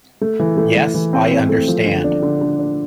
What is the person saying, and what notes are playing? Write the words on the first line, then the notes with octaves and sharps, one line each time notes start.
Yes, I understand.
A3
E3
A3
A3
E3
C4
C4
A3
F3
D3
D4
D3
D3
D4